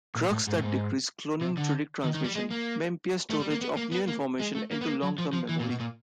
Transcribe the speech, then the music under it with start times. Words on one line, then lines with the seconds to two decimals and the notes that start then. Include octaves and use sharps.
Drugs that decrease cholinergic transmission may impair storage of new information into long-term memory.
0.15 A#2
0.31 A2
0.47 G#2
0.57 A2
0.62 G#2
1.41 C3
1.57 D3
2.04 D#3
2.15 D#3
2.24 G3
2.35 G#3
2.51 A#3
3.30 A3
3.40 G3
3.51 A#3
3.61 B3
3.77 A#3
3.92 B3
4.08 A#3
4.40 G#3
4.55 A3
4.71 A#3
4.81 B3
4.87 A#3
5.03 F#3
5.18 F3
5.33 F3
5.49 E3
5.60 A#2
5.69 B2
5.80 A#2